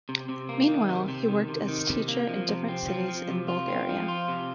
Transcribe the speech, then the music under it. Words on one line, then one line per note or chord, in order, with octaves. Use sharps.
Meanwhile, he worked as teacher in different cities in Bulgaria.
C3
C3
A#3
D#3
C3
C3
D#3
C3
D#3
C3
A#3
F3
C3
C4
F3
F3
C3
F4
C4
F3
F4
C3